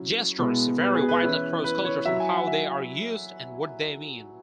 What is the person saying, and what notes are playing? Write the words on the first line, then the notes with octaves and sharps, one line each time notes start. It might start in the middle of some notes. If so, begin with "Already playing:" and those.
Gestures vary widely across cultures in how they are used and what they mean.
Already playing: F#3 C#4 E4
B2 G#3 B3 E4
B4
G#4
B4
E3 C#4 E4 B4
B4
C#5
F#3 E4 E5
G#5
F#5
E5